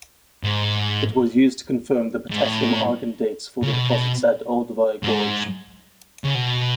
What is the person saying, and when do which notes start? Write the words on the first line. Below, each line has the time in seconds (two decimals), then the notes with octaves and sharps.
It was used to confirm the potassium-argon dates for the deposits at Olduvai Gorge.
0.43 G#2
2.30 G#2
2.41 A2
3.62 C#3
3.72 B2
5.03 G#2
6.24 C#3
6.35 B2